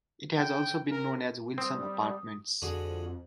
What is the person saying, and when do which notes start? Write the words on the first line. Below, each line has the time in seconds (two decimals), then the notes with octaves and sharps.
It has also been known as Wilson Apartments.
0.37 G5
0.91 A#4
1.58 G3 C4 D#6
2.62 F2 D3 F#4 G#4